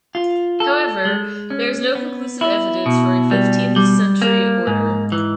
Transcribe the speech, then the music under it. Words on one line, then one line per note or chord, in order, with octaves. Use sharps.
However, there is no conclusive evidence for a fifteenth-century order.
F4
A4
G#3
C#4
B3
E4
B2
G3
G3
A#3
G#2
E3